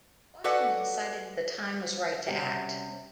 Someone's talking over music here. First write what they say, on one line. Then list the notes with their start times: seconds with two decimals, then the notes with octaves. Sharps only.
Washington decided the time was right to act.
0.44 F#4 A4 B4 D5 F#5 G#5
2.27 C3 G3 C#4 F#4 G5 G#5